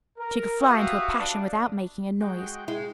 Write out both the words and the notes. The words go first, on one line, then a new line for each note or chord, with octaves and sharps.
She could fly into a passion without making a noise.
A#4
F#4 G4 B4 E5 F5 D#6
D4
G#3 F#4 G5
G#3 E4